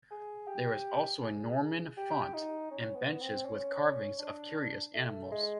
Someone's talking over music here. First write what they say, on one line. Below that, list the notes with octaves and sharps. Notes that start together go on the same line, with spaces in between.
There is also a Norman font, and benches with carvings of curious animals.
G#4
G4
G#4
G4
D#4
C#4
B3
C4
C#4
D4
A3
G#3